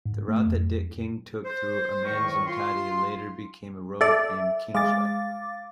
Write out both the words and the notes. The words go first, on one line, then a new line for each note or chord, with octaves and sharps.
The route that Dick King took through Amanzimtoti later became a road named Kingsway.
G#2
A3
F2
C5
E2 A2 D#3 A#4 C#6
F4 C6
A4 D5 E5
G#3 F5 D6 A6